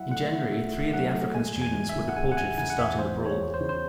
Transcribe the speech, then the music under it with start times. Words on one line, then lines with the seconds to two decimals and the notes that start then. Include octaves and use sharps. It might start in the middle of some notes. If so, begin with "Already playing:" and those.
In January, three of the African students were deported for starting the brawl.
Already playing: F#3 E4 E5 F#5
0.11 A3 F#5
0.32 E4
0.52 A3 E5
0.73 A3
0.93 F#3 F#5
1.14 A3
1.34 G#3 G#5
1.55 E2
1.62 G#5
1.76 G#3
1.89 E5
1.96 C#3
2.09 F#5
2.16 G#3 G#5
2.32 F#5
2.37 E2 G#5
2.58 C#3 G#5
2.70 F#5
2.78 E2 E5
2.98 E2 C5
3.19 G#3
3.26 C#5
3.40 E2
3.54 C5
3.60 C#3
3.69 C5